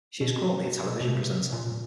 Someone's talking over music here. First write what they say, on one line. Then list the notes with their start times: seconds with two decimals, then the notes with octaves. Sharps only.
She is currently a television presenter.
0.21 B2
1.01 B2
1.08 C3
1.53 A#2